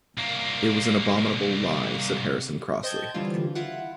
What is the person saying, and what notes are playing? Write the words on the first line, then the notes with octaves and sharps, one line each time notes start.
"It was an abominable lie," said Harrison crossly.
C2 A#3
C5 D#5 G5 A5 G6 G#6
D3 E3 G3 C4 F4
E4 F4 F#5